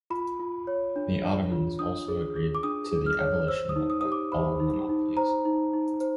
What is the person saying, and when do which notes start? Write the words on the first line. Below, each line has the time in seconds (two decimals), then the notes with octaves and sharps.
The Ottomans also agreed to the abolition of all monopolies.
0.10 F4 B5
0.40 F4
0.67 C#5
0.96 D4
1.24 D4
1.52 F4
1.79 D4 D#6
2.08 G#4
2.36 G#4
2.55 D6
2.63 D4 D#6
2.92 G#4
3.06 F6
3.20 C#5
3.48 C5 E6
3.69 D#6
3.76 D#4
3.90 D#6
4.01 G4 D#6
4.12 D6
4.32 C5 B5
4.60 D#4
4.89 D#4
5.17 C5 A#5
5.45 D#4
5.73 D#4
6.01 C5